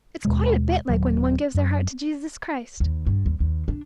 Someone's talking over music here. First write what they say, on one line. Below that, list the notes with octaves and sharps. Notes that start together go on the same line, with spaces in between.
It's quite a bit like when one gives their heart to Jesus Christ.
D#2 B2 G#3
D#1 D#2 F#3
F#2
D#2
G2
D#2
D#2
D4